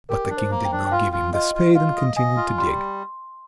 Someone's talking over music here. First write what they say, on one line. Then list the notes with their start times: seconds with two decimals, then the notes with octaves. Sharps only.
But the King did not give him the spade, and continued to dig.
0.09 G4 A#4
0.30 D4
0.37 C5
0.51 A#3
0.65 G5
0.72 D4
0.87 G5
0.92 F4 F5
1.13 F4
1.33 F4 D#5
1.55 F4
1.75 F4 F5
1.96 D#5
2.16 D#5 G#5
2.37 F4
2.58 G3 C6